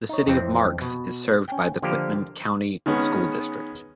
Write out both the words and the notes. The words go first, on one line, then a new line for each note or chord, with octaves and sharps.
The City of Marks is served by the Quitman County School District.
D#4 C#5
F2 E3 C4
B2
C#4 G5
D3 F3 A#3 G4
D#3 G#3 B3 C#4